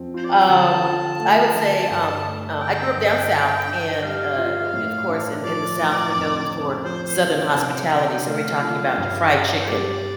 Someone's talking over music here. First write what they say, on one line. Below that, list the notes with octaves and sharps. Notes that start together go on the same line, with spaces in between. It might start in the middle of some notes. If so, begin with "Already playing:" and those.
um, I would say, um, uh, I grew up down south, and, uh, of course, in in the South, we're known for southern hospitality, so we're talking about your fried chicken,
Already playing: F2 F3 C4
F4 C5
D5
F5
G5
D3 A5
F4
A3
D3
G2
A3
D3 G5
G2
D3
D4
G5
G3 F5
F4
A2
D4
F3 D5
A2
F2
C4
F3 C5
C5
F4
G5
A5
C3 G5
D4
A3 F5
F4
G2
D4
C5
G3 D5